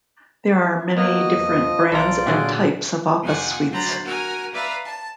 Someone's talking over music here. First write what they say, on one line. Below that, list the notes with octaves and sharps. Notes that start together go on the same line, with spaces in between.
There are many different brands and types of office suites.
E4
A#3 B3 F#4 D#5
E1 F3
B1 F4 A4 D5 A#5
A#2 D3 F#3 G#4
F2 C3 F#5 G#5 D6
D2 F#3 C5 A#5 B5 A6
F#4 A#4 G#5 A#5 F6
B4 D5 E5 F5 A#5 B5
A5